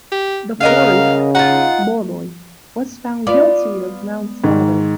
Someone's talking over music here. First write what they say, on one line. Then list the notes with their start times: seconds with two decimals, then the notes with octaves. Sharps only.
The fourth, Molloy, was found guilty of manslaughter.
0.12 G4
0.61 C#3 A#4 D#5 F5 F#5
1.35 D#4 F4 F#5
3.27 B3 F4 D5
4.44 G#2 D#3